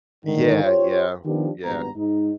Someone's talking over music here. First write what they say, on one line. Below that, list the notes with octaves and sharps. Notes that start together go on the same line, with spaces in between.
Yeah, yeah, yeah.
G#2 D3 D#3
F4 G4 C5 C#5
D#3 F3 B3 D4 G4
G#1 G2 B3 A#5
G#2 D#4